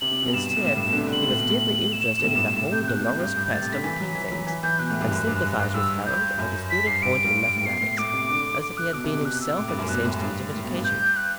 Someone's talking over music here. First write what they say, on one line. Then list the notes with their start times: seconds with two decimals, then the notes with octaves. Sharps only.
Instead, he was deeply interested in the whole dolorous quest of the tea-things, and sympathised with Harold on the disputed point in mathematics as if he had been himself at the same stage of education.
0.01 C3 F#7
0.11 C3
0.23 B2
0.33 G2 E7
0.49 E7
0.57 B2
0.65 A2 E7
0.76 G2
0.81 E7
0.86 B2
0.93 D3
0.97 C3
1.07 D3
1.12 F#7
1.18 B2
1.29 A2
1.39 B2
1.49 A2
1.93 E7
2.19 B2
2.25 A2
2.35 G2
2.56 A2 E7
2.72 C3 G6
2.84 G6
2.87 B2 F#6
2.99 B2
3.04 G6
3.09 A2
3.19 G2
3.36 G2
3.52 A2 A6
3.62 C3 A6
3.73 D3 B6
3.84 E3
4.00 F#3
4.15 E3
4.32 F#3
4.47 E3
4.63 E3 G6
4.79 B2 F#6
4.90 A2
5.00 G2
5.11 F#2
5.27 G2
5.43 G2
5.59 G2
5.74 G2 E6
6.06 G6
6.39 F#2
6.70 B6
6.86 G2 C7
7.02 G2 D7
7.24 G2
7.45 G2
7.56 A2
7.65 B2 C7
7.81 A2
7.98 A2 D6
8.14 C3
8.30 D3
8.62 D6
8.77 F#6
8.93 B2 D6
9.04 C3
9.09 D6
9.15 B2
9.25 F#6
9.41 E6
9.57 A2 D6
9.68 G2
9.78 F#2
9.89 B2 F#6
10.05 A2
10.21 G2
10.53 A2
10.64 B2
10.74 G2
10.84 G6
11.16 F#6